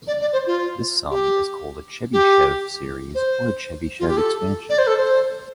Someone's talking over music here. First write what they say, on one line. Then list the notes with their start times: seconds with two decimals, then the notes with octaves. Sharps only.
This sum is called a Chebyshev series or a Chebyshev expansion.
0.07 D5
0.21 D5
0.33 C5
0.46 F4
1.10 G4
2.13 G4
3.14 C5
3.99 F4
4.08 G4
4.17 A4
4.69 D5
4.78 C5
4.87 A4
4.97 C5